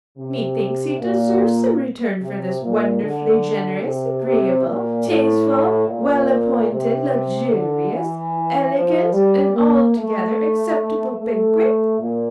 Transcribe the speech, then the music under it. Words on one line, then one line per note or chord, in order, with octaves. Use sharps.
Methinks he deserves some return for this wonderfully generous, agreeable, tasteful, well-appointed, luxurious, elegant, and altogether acceptable banquet.
C3
A#2
C3
A#2
D3
C3
C3
A#2
A2
A#2
C3
D3
E3
F3
G3
A#3
A3
A3
A#2